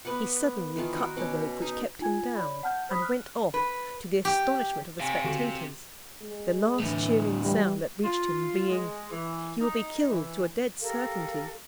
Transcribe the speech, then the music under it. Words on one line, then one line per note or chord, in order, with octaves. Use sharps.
He suddenly cut the rope which kept him down, and went off, to the astonishment of the spectators: the last cheering sound that reached him being--"He will be killed to a dead certainty!"
B3 B4 D5 F#5
D#3 E3 F4 A5
D#4 F#4 A#4
B2 C#4 C#5 D6
D#4
D#4 F4 G#5 G#6
C#5 D5 B5
F#5 A5 F6 G6
C5 B5 D#6 B6
F6 F#6
B4
G4
C3 F5 G#5
D3 F#4
G#3
A2 D3 E3
E3 G3
F4
G#3
E3
D#4
E3
G4 A4 A#4 F5